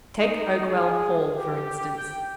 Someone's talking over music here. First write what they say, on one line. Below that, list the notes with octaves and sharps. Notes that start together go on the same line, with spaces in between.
Take Oakwell Hall, for instance.
D#4
G#4
G4
G5